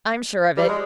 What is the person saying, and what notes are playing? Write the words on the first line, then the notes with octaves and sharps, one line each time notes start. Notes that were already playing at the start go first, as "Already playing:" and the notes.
I'm sure of it.
F3 G3
G#3